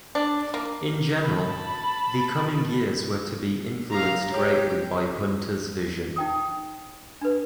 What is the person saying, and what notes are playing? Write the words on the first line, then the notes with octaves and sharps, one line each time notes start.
In general, the coming years were to be influenced greatly by Hunter's vision.
D4
A#3
A5 B5
F5 A#5
G4 C#5
D#4 G5 D#6
D4 B4